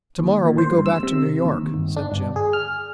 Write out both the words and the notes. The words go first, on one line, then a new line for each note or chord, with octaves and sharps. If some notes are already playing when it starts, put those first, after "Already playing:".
"To-morrow we go back to New York," said Jim.
D#2
A#2
C5
G2
E6
C3
D#2
G1
D4
G1
G#4
F6